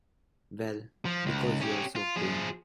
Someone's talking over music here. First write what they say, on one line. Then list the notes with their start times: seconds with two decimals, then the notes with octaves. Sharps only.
Well, because you're so clean.
1.05 F3
1.26 C#2
1.61 C#4 G4
1.96 F4
2.16 F3 G#4